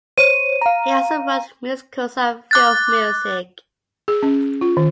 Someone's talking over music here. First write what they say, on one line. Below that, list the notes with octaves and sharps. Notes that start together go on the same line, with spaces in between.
He also wrote musicals and film music.
C5 C#5 D#7
F5 A#5
D6 F#6 A6
G#4
C#4
F4
D#3